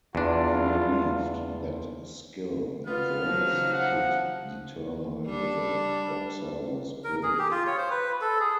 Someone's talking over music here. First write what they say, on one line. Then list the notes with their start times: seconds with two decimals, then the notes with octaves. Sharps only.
He believed that skill, not race, should determine if a boxer was good.
0.15 E2 D4 F4
2.87 B3 F4 F6
3.24 C#3 F3 F#3 D#4
3.73 F#5
5.27 G3 D4
7.04 A#4
7.23 G#4
7.39 G4
7.51 F4
7.67 C#5
7.78 C5
7.91 B4
8.21 A4
8.40 G#4